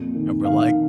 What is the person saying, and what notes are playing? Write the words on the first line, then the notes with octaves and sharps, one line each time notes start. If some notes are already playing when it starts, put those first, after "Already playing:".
And we're like,
Already playing: F2 A#2
D#3
D#3 F5